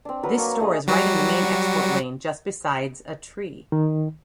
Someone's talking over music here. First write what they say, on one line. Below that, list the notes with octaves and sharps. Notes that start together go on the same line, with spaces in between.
This store is right in the main export lane just besides a tree.
C4 D4
F#3 A#4 B4
A#3 C#5 A5 C#6
A3 D4 G#4 D#5
F#3 G3 F#4
D#3